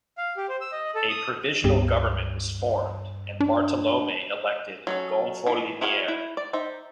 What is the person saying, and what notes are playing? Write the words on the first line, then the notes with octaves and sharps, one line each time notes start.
A provisional government was formed and Bartolommei elected "gonfaloniere".
F5
G4
C5
E6
D#5
A4
D#6
C#2 G2 B3 G4
D4
F#3 C#4 A4
D#3 E3
E4 F#4 G#4 C5 F5
E4
D5
D#4 C5 E5